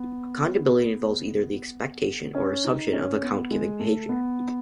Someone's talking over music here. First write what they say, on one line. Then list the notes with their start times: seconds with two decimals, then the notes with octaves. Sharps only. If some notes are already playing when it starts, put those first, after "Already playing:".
Accountability involves either the expectation or assumption of account-giving behavior.
Already playing: B3
2.35 C#4
2.65 D#4
2.93 C#4
3.22 B3
3.51 G#3
3.80 A3
4.09 B3